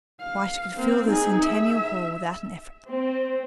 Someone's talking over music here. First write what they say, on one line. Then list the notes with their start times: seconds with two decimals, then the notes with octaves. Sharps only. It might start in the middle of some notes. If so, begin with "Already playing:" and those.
Why, she could fill the Centennial Hall without an effort.
0.22 F5
0.76 A#3 C4
1.08 D#4 G#4
1.43 E5
2.88 C4